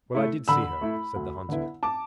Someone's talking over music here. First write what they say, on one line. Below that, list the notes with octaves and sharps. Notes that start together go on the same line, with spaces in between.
"Well, I did see her," said the hunter.
A3 E4
D3 B5 E6
A3 E4
D2
D3 B3 E4
A5 D6